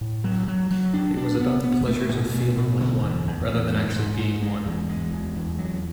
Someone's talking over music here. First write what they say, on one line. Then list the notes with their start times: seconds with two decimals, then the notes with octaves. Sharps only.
It was about the pleasures of feeling like one rather than actually being one.
0.01 A2
0.24 F#3
0.48 F#3
0.71 F#3
0.94 D4
1.17 D4
1.40 B3
1.64 B3
1.87 A3
2.10 B2
2.33 A3
2.57 B2
2.80 D3
3.03 E2
3.26 E2
3.49 A3
3.73 G#2
3.96 G#2
4.19 G#2
4.43 G#3
4.66 E2
4.89 G#3
5.12 E2
5.35 E2
5.58 F#3